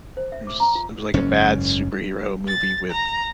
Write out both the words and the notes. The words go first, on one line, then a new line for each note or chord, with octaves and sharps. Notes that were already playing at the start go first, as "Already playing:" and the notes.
it was it was like a bad superhero movie with,
C5
E5
D6
A#5
F4
F#1 G#2 C#4
A6
A#5